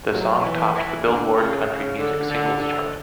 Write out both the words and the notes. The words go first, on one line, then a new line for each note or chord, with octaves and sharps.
The song topped the "Billboard" country music singles chart.
F#3
E3
E3
D3
C#3
C#3
D3
D3
D3